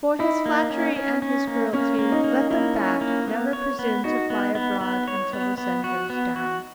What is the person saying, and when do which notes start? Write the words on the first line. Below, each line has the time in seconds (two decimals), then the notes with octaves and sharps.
"For his flattery and his cruelty let the Bat never presume to fly abroad until the sun goes down," he cried.
0.19 D#4 E4
0.46 A#3
0.70 C#4
0.96 C#4
1.22 C#4
1.47 A#3
1.73 A#3 C#4
1.99 A#3
2.12 D#4
2.24 A#3
2.50 A#3 E4
2.76 C#4
3.01 A#3
3.27 B3
3.53 C#5
3.79 B3
4.04 D#4 F#4
4.30 B3
4.55 B3
4.81 B3
5.08 C#5
5.33 B3
5.58 B3
5.84 F#4
6.10 B3
6.36 F#4